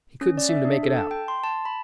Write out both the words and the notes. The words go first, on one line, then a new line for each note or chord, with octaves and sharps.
He couldn't seem to make it out.
C#4
D5
E5
D4
A4
A5
G5
C6
A5
B5